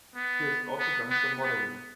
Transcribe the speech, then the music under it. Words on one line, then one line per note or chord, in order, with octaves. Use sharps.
He has also done some modeling.
B3
B3
B3
B3